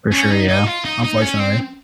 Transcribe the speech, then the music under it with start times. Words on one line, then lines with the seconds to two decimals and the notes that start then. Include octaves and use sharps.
For sure, yeah, unfortunately.
0.12 C#4
0.31 D#4
0.49 D#4
0.67 F4
0.85 D#4
1.04 D#4
1.22 C#4
1.40 C4